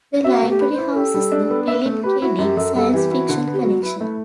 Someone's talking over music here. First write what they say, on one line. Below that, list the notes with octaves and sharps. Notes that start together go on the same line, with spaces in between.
The library houses the Philip K. Dick science fiction collection.
F#4 E5
A3
G4
B4
C5
E4
G4 A4
G3
D4
B3
B4 E5
A3 A4
G4 B4
E4 F#4
F#2 G4
F#2 A4
G3 A4
E3 G4
E4 F#4
D3
B3
G4
F#4
F#3
E4 B4
A3 E4